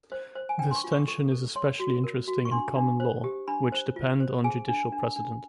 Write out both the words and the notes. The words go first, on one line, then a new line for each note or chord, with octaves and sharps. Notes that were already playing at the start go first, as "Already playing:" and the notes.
This tension is especially interesting in common law, which depend on judicial precedent.
C5
C5
G#5
D4 G5
C6
C#6
F4
C#6
A4 C#6
A4
C#5 C6
F#4
A#4
F#4
C#6
D4 C6
D4
C5
G4
D4 B5
C5
F4
C5
G#4 G#5
D4
D4
D4